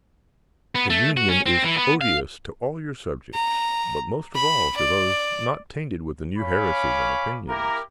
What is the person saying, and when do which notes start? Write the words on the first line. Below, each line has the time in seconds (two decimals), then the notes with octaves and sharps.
The union is odious to all your subjects, but most of all to those not tainted with the new heresies and opinions.
0.75 B3
0.90 A3
1.17 F#4
1.29 C#4
1.46 C4
1.64 E3
1.77 B3
2.01 F5
3.34 A#5
4.35 B5
4.77 D5
6.39 C#4 C#5 F5 G#5 B5 D6
7.48 A#3 E4 G4 A#4